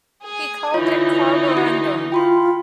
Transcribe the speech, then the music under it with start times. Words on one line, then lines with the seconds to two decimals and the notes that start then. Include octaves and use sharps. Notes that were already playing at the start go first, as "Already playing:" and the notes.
He called it carborundum.
0.22 G#4 G#5
0.74 D3 E3 D#4 F4 C#5
1.57 F#4
2.12 F4 G5 B5 C6